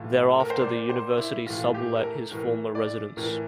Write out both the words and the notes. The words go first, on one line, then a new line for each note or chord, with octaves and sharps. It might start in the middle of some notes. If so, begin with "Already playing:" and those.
Thereafter the university sub-let his former residence.
Already playing: A2 E3 F4
A4
A#4
C5
A#2 D5
C5
E4
A2 E3 F4
G4
A#4
A4
A2 E3 A#4
D5
A2 E3 A#4